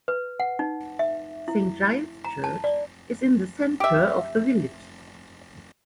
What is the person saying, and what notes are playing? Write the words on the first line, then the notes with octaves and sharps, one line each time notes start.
Saint Giles church is in the centre of the village.
B4
F#5
D#4
E5
E4
A#5
A5
D5
G4 E5